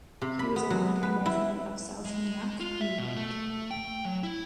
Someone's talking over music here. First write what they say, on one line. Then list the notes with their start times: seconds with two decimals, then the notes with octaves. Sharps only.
He was a longtime resident of South Nyack, New York.
0.22 C3
0.39 B5
0.56 B3
0.70 F#3
1.03 B4
1.26 E4
2.05 G#3
2.60 F4
2.81 E5
2.98 B2
3.17 A3
3.71 G5
4.05 F#3
4.23 E4